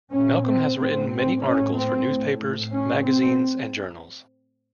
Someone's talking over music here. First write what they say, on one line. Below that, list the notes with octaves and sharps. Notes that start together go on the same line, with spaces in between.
Malcolm has written many articles for newspapers, magazines and journals.
A#2 C#4
C4
A2 C4
C4
A2 C#4
C4
A2
A2 C#4
C4